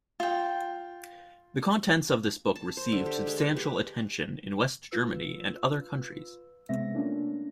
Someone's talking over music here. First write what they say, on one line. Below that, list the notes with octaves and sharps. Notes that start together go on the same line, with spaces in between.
The contents of this book received substantial attention in West Germany and other countries.
F4 G5
A5
C5
D3
G4
G#3
B4
G4
F4 B4 E6
C3 G#3 B3 C4 E5 A#6
A3 A#3 C#4 D4 F4